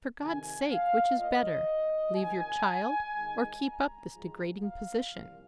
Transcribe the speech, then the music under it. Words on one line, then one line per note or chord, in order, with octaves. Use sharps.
"But, for God's sake, which is better?--leave your child, or keep up this degrading position?"
F2 C3 D#3 G#5
F5
A#2 A#3 F4 D#5
C3 D#3 A#3 F4 G#5
D#2 D#3 G#3 D#4
A#5
G#2 F3 G#3 F4
F5
C2 A#2 F3